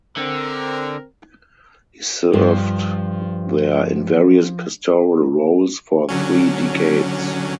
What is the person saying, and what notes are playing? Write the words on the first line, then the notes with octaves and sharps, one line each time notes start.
He served there in various pastoral roles for three decades.
D3 C4 A#4
G2 F3
D3 F#3 C#4